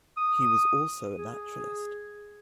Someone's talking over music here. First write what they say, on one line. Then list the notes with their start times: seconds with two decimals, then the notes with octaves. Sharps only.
He was also a naturalist.
0.17 D#6
1.16 G#4